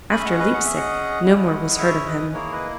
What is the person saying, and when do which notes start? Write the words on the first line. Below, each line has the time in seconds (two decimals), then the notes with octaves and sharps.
After Leipsic no more was heard of him.
0.11 C#4 G#4 G#5 B5
0.20 E5
0.25 D#5 F#5
0.39 B4 D#5
0.54 F#5
0.66 E5
0.76 D#5 F#5
1.23 C#4 E4 G#4
1.78 C#5 E5
2.06 B4 D#5
2.33 A#3 E4 G#4 A#4 C#5
2.53 B4 D#5